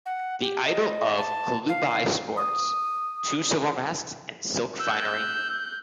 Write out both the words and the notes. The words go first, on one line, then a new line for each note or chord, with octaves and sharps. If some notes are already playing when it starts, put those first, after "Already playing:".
The idol of Kalubai sports two silver masks and silk finery.
F#5
G4
D#5
A5
F5
D#6
E6 F#6 G6